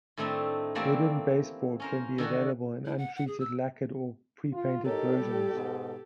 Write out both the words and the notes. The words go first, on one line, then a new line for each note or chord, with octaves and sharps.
Wooden baseboard can be available in untreated, lacquered or prepainted versions.
A2 D#3 A3 C4 D4 D#4
E3 A3 A#3 C4 G4 D5
C#4 A#4 C5
D3 D#3 D4 F#4
E4
F#5
F#5
G#4
E6
F4
D#4 G4 A4 A#4 C#5
G3
G#2 B2